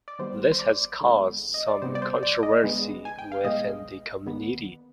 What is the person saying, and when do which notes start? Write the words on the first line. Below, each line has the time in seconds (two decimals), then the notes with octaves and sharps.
This has caused some controversy within the community.
0.08 D5
0.19 D#3 G3 B3 C5
0.52 C5
0.59 D5
1.01 D3 G#3 B3
1.54 D#5
1.68 D5
1.82 C3 G3 B3 C5
1.95 D5
2.02 C5
2.23 D5
2.43 D#5
2.63 D3 G#3 B3
3.05 G#5
3.19 G5
3.32 F5
3.45 B2 G#3 B3 D#5
4.26 D#3 B3